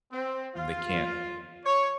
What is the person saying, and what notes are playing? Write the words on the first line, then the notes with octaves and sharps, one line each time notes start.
They can't
C4
F4
C#5